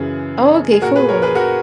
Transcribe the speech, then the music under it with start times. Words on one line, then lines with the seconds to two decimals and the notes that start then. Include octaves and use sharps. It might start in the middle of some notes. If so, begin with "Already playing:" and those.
Oh okay, full.
Already playing: F#2 C#3 E3 G#4
0.72 G#4
0.82 A#2 F#4 A#4
0.96 G#4 B4
1.08 A#4 C#5
1.22 G#4 B4
1.35 F#4 A#4